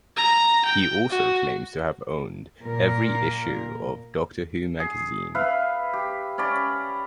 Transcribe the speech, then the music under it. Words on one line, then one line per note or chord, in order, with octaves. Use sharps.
He also claims to have owned every issue of Doctor Who Magazine.
A#5
G5
F#4
A#2 A#4
G#4
B4 E5 F5
G4
C#4 D5 B5